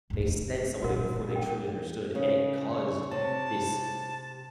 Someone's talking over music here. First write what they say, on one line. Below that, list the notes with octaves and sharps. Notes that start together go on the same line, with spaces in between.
They said something before they truly understood, and it caused this
F1 A2
C#3
A#2 D3 F#4 A#4
A#4 G5
C#3 C#4
C#5
C3 A5